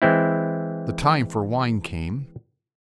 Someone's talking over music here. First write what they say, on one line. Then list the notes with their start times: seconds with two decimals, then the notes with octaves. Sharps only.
The time for wine came.
0.02 E3 G#3 C4 E4